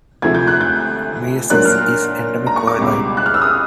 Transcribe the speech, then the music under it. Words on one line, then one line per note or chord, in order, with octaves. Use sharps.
Measles is endemic worldwide.
D2 C3 F3 A3 G#6
G6
F#6
G6
A#2 F#3 A#3 D4 F#6
F6
A#5
C#6
D6
C#2 B2 G3
F#6
F6
E6
D#6